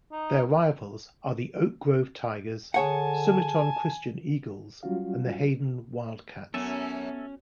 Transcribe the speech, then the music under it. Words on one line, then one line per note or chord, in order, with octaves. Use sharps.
Their rivals are the Oak Grove Tigers, Sumiton Christian Eagles, and the Hayden Wildcats.
D#4
D3 G#4 C#5 F#5 G#5 A5
F#3 G3 C#4 F4 F#4 F5
F#2 B3 C#4 A4 E5 G#5